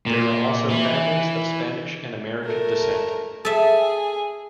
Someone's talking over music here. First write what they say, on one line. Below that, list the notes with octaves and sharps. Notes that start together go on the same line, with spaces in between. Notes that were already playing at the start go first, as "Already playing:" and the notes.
There are also families of Spanish and American descent.
A#2
E3
A3 A#4
G#4 A4 E5 G#5